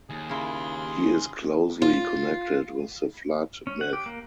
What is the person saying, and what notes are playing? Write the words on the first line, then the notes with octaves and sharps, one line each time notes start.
He is closely connected with the Flood myth.
D#2 G#4
C#3 E4 C6
F4
C#4
F#5
G4
A#3